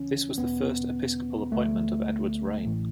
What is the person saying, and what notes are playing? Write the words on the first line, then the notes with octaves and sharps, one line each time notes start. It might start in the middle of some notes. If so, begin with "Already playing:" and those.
This was the first episcopal appointment of Edward's reign.
Already playing: D2 C#3 E3 C#4
E2 B2 B3
D2 D3 A3
A1 A2 E3